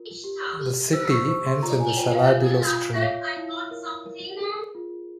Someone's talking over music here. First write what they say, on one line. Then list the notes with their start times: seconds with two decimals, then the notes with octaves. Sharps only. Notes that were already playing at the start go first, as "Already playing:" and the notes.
The city ends in the Saladillo Stream.
Already playing: F4 A#4
0.24 G4
0.59 G4
0.93 C5 E6
1.05 E6
1.11 C#6
1.28 C5 C#6
1.46 C6
1.63 F4 A#5
1.80 G#5
1.97 F4 G5
2.15 F5
2.32 F4
2.67 F4
2.95 E5
3.02 C#5 F5
3.37 E4
3.71 A#4
4.06 A#4
4.40 G#4
4.75 F4